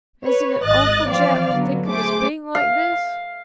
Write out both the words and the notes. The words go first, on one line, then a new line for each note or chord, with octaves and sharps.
"Isn't it awful, Jap, to think of us being like this?"
B4 C#5
G#1 D#5 F#6 A6
E3 F3 C4 D5 F5
D3 F#3 B3
A3 G#4 C5 D6
F5